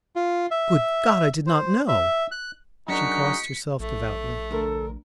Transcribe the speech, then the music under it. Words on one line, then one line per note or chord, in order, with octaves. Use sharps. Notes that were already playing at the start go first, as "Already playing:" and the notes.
"Good God, I did not know!" She crossed herself devoutly.
F4
E5
C5
E5
F#6
F#2 G#3 D4 D#4 F#4 A#4 B6 C#7
A#1 A3
D2 A4 A#4